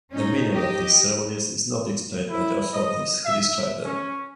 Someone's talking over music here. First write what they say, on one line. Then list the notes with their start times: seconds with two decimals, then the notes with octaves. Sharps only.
The meaning of these ceremonies is not explained by the authorities who describe them.
0.12 C#4 D#4
0.53 G4 D#5
2.29 E4
2.73 D#5
3.24 E5
3.83 C#4